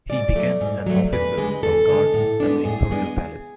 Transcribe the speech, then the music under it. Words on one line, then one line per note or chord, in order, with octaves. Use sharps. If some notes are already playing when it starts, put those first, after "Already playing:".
He became an officer of guards at the Imperial palace.
G#2 D5
F#3 A3
G#2
F#3 A3
E2 B4
D3 G#3
E2 A4
D3 G#3
A2
G#3 B3 D4
A2 G#4
G#3 B3 D4
C#3